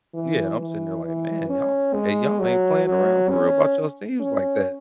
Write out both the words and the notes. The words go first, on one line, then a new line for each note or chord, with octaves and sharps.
Yeah, and I'm sitting there like, "Man, y'all hey, y'all ain't playing around for real about yall's teams like that."
E3
E3
E3
C#4
G#3
F#3
F#3
C#4
C#4